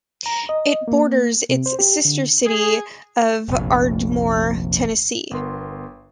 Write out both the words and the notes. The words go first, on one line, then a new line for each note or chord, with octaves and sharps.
It borders its sister city of Ardmore, Tennessee.
A#5
D#5
A#3
C3
C5
G4
D3
G#4
F1 A#1
G1 B3 A#4 C6